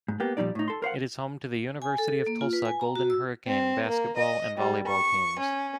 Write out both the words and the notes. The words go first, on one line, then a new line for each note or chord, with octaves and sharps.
It is home to the University of Tulsa Golden Hurricane basketball and volleyball teams.
G#2
A#3 B3 G4
A#2 F3 G3 D#4 D5
A2 D#4
A4 C6
A#4 C5 F5 F#5
G#5
A4
A#3
F4
B4
G#5
A#5
F#4
E6
C4
A#3
D#5
G3
C#6
C#4